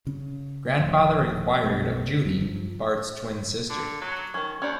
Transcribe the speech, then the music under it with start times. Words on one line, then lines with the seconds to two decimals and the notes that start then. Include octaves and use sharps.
Grandfather inquired of Judy, Bart's twin sister.
0.07 C#3 C#4
0.80 D#1 A2 F3
1.63 B1 F#2 B2 A3
2.25 F#1 F2
2.41 G2 F3
3.70 D3
4.01 F#3
4.34 D#3 F#3 C#4
4.62 D#2 C#4 D5